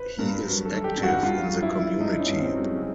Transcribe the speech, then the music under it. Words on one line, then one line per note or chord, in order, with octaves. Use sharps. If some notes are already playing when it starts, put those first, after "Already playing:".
He is active in the community.
Already playing: B4 C5
G2 A#4
F#3
A4
D#3
G4
G2
F#4
G2 F4
F#3
E4
D#3
G2 D#4
C#4
G2
C4
F#3
G#3
C#3